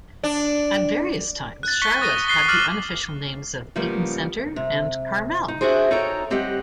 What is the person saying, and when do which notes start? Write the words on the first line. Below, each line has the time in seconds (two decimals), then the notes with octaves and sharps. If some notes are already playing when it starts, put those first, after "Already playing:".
At various times Charlotte had the unofficial names of Eaton Centre, and Carmel.
0.23 D4
1.63 F#6 A6
1.81 C#6 B6 C#7 G7
2.01 D#6 F#6 A6 A#6 D#7
2.28 D#6 F#6 C7 G7
2.48 D6 F6 F#6 A6 C7 F#7
3.76 C#3 F3 G3 A#3 B3 A#4
4.56 C3
5.48 D#4
5.61 D4 E4 F#4 G#4 C5
5.91 D#4 F#4 A4 C#5 G5 A#5
6.30 G3 C4 G4 D#5 F#5